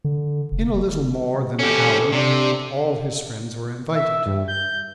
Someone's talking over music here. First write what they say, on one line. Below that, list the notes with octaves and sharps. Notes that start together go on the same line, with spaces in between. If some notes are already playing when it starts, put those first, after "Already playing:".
In a little more than an hour, all his friends were invited.
D3
F1
C#4 G4 A4
C3 D4
E5
G2
G6